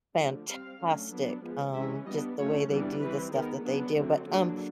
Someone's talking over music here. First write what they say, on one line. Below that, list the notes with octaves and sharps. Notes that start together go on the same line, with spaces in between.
fantastic, um, just the way they do the stuff that they do, but, um
D3 F3 A3
G3 C4 F5
D3 F#3 A3 C#4
F#3 B3 D4
F3 G#3 B3
E3 G#3 C#4 E5
G3 B3 D4 D#5
F#3 A3 C#4 C#5
E3 G3 B3 D4
E3 G3 C4 B4
D#3 G#3 B3 A#4
F#3 B3 D4 G#4
D3 F#3 A3 C4 F#4
D3 F#3 A#3 D4 G#4